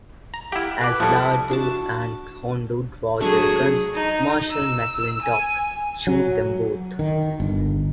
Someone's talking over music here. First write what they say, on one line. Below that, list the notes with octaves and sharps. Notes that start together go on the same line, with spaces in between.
As Laredo and Hondo draw their guns, Marshal McClintock shoots them both.
A#5
E4 G4 F5 F#5
B4 D6
F3 G3 E4 A4 D#6
D4 F#4 A5
F#3 A3 D4 G#4 C#6
D#4
E6
G#5
F#3
D#3
G1